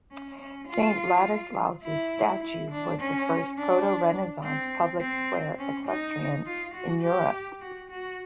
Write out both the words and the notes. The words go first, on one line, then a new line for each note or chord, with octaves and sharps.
Saint Ladislaus' statue was the first proto-renaissance public square equestrian in Europe.
C#4
C#4
F4
E4
E4
D4
C#4
D4
C4
C4
C#4
D#4
F4
F#4
G4
F#4
F#4